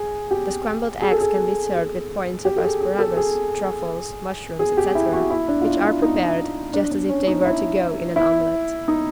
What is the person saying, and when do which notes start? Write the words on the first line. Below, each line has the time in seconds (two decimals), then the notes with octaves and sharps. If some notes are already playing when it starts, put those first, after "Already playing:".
The scrambled eggs can be served with points of asparagus, truffles, mushrooms, etc. which are prepared just as if they were to go in an omelet.
Already playing: G#4
0.31 G4
1.02 G#4
1.11 A4
1.21 G#4
1.74 G#4
2.45 G4
2.56 A4
2.63 G#4
2.81 G#4
2.99 A4
3.17 G#4
4.59 G#4
4.77 G4
4.95 E4
5.13 F#4
5.30 E4
5.48 D4
5.61 F4
5.66 E4
5.84 E4
6.02 D#4
6.73 D4
6.91 D4
7.09 C#4
7.27 D#4
7.45 E4
8.16 E4
8.88 D#4